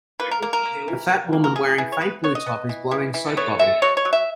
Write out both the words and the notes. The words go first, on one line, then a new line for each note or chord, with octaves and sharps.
A fat woman wearing faint blue top is blowing soap bubble.
A#3 B4
A#4
A#3 A#4
A#4
A#3
E3
A#3
A#3
A#4
E3 G#4
E3 G#4
C#5
B3 B4
B3 C#5
D#5
B3
E3
E3
E3
B3 C#5
G#3 E5
F#3 C#5
C#5
F#3
E5